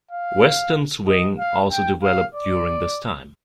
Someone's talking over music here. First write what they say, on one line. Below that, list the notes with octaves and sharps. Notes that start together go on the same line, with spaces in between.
Western swing also developed during this time.
F5
D#5
F5
G5
F5
D5